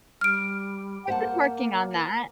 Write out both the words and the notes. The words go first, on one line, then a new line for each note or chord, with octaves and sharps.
I've been working on that.
G3 F6 D7
A#3 C5 F#5 A5